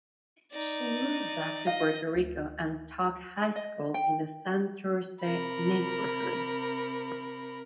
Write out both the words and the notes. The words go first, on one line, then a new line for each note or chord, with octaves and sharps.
She moved back to Puerto Rico and taught high school in the Santurce neighborhood.
D#4 D5
D#5 F5
D2
D#5
G5
C3 A#4 B5